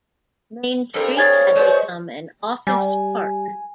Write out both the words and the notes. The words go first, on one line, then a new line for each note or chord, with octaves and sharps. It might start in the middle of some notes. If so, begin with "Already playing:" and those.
Main street had become an office park.
G2 C4 A4 A#4
G#4 C#5 G#5 G#6 A6
G#3 F#4 B4 C5 D5
G3 G#5